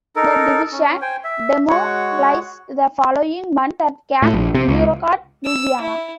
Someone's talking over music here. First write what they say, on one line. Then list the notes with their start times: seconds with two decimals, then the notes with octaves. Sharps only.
The division demobilized the following month at Camp Beauregard, Louisiana.
0.16 D#4 A4 A#4
0.72 C#4
1.01 C5 G5 G#5
1.24 E5
1.69 G#3 F#4 C#5 F#5
4.22 A2
4.34 A#1
4.54 C3
4.68 C#2
5.45 E6
5.81 E4